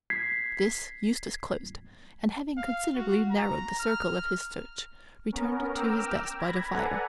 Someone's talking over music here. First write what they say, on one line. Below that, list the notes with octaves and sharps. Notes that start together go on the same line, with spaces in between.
This Eustace closed, and having considerably narrowed the circle of his search, returned to his desk by the fire.
G#6 B6 C7
F5
F#4
A#5
F6
B3 C#4 A#4
G5 A#5 D6 E6 F6
B5 G#6 A#6
A4 B4 D5 F#5 G#5 A#5